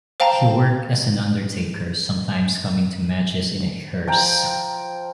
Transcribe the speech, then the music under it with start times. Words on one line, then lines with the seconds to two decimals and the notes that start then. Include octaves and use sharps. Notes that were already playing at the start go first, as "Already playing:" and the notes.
He worked as an undertaker, sometimes coming to matches in a hearse.
0.20 C5 F5 G5 A5 A#5
4.07 F3 G5 A#5